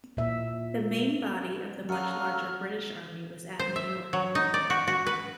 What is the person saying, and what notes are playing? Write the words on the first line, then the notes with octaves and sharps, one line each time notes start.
The main body of the much larger British army was at New York.
A#2 E5
F#2 F#4 A4 F5 A#5 D#6 F6
C5
E5
F#3
D#4
D5
F#4
F#4
B4